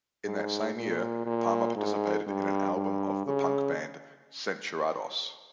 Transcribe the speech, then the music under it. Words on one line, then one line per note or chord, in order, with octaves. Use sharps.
In that same year, Palma participated in an album of the punk band Censurados.
G#2
A#2
A#2
G#2
G2
G2
C#3